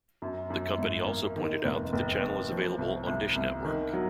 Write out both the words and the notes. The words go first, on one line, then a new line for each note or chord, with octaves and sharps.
The company also pointed out that the channel is available on Dish Network.
F#2
F#2
G#1
A#3
D#3
F1
F1
D#2
F3
C2
C2
C2
D#3
F#3